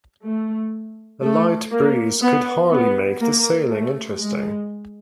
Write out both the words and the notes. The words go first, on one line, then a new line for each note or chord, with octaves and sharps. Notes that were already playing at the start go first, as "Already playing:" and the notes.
A light breeze could hardly make the sailing interesting.
A3
A3
A#3
B3
B3
A#3
A3
G#3